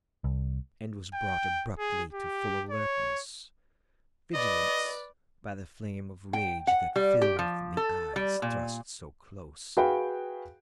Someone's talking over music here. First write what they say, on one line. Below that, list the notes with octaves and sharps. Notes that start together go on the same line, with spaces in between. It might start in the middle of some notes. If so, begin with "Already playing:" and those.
And was brought abruptly to full alertness, vigilance, by the flame of rage that filled the eyes thrust so close.
C2
G5
G#4
G4
C#5
B4 D5 D#5
G5
F#5
G3
G4
F3
A4
G3
A#2
F#4 G#4 B4 F5 G5